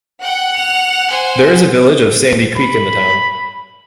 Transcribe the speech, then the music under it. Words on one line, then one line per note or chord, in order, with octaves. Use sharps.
There is a village of Sandy Creek in the town.
F#5 G5
F7
C5 G#5
B5